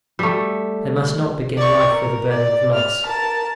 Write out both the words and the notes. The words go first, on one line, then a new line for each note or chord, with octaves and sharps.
They must not begin life with a burden of loss.
G3 A3
D5 C#6
A#4
D5
F6
A#4 A5